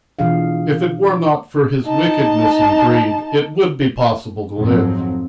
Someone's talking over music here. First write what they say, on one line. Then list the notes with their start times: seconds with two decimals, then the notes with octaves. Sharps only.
If it were not for his wickedness and greed, it would be possible to live.
0.19 B2 E3 D4 F4 G#4 F5
1.85 D#4 A5
4.58 F2 G#2 F3 F#3 C4